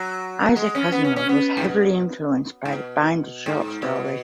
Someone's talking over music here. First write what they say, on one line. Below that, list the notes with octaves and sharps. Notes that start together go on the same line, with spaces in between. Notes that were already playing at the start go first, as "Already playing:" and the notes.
Isaac Asimov was heavily influenced by the Binder short story.
Already playing: F#3
G#3
C#4
B3
C#4
C#4
B3
G#2
B2
G#2
B2
G#2
B2